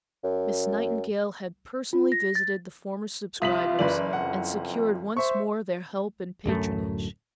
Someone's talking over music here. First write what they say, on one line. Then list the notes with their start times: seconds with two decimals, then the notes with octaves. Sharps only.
Miss Nightingale had personally visited the former subscribers, and secured once more their help and patronage.
0.24 F#2
1.93 F4
2.12 A#6
2.35 A6
3.42 C2 F4 D#6 B6 F#7
3.79 F#1 E3 B4 D5 F#7
4.13 F2 F#5
5.17 C5 E5 C#6
6.45 D1 F#2 A3